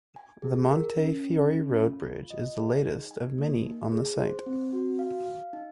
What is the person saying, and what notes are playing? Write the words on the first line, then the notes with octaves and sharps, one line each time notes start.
The Montefiore Road bridge is the latest of many on the site.
G#5
G#4
A#4
C#4
C#4
C#4
F4
F4
D#5
G#4
D#4
G#5
A#3
D#4
G#4
C5
C4
F#4
F5
F5
D#4